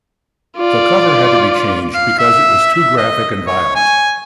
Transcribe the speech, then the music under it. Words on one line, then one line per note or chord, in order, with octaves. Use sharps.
The cover had to be changed because it was too graphic and violent.
F4 D5
F5
E5
E5
D#5
C#5
G#5